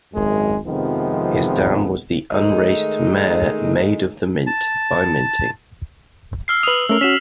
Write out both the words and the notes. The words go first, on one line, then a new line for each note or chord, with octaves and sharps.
His dam was the unraced mare Maid of the Mint, by Minting.
G#1 F#2 G#3
F2 C3 D#3 F3 G#3 B3
D#3 G#3 A3 D#4
A5
E6 F6 C7
B4 D#6 F7 F#7
A3 C#4 A#4 E6
C#4 F#4 B6 E7